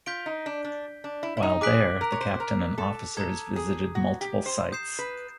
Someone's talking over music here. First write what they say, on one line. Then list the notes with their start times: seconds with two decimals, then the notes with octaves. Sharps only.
While there the captain and officers visited multiple sites.
0.06 F4 G6 B6 D7 G7
0.26 D#4
0.46 D4
0.64 D4
1.04 D4
1.23 E4
1.37 E4
1.43 D#4
1.61 G#4 D6 F#6 B6 D7 F#7
2.01 A#4
2.12 C#5
2.21 C5
2.40 A#4
2.78 A4
3.17 A4 A#5 D#6 G#6
3.56 G#4
3.95 F#4
4.21 G4
4.46 C5
4.72 D#6 G6 C7 E7
4.99 B4